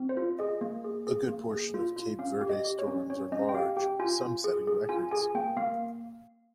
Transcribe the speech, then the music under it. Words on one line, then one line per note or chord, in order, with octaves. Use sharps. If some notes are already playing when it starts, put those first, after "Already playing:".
A good portion of Cape Verde storms are large, some setting records.
Already playing: C4
C5
F4
G#4 D#5
A#3
G#4
G#4
A#3
G#4
F4
F4
C#4 F5
G4
D#5
G4
C#5
C#4
C#4 C#5
C#4 D#5
G5
G4 F5
G4 G5
F4 G#5
F4
G#4
G#4
F4 G#5
G#4 G#5
A#3 G5
A#3 F5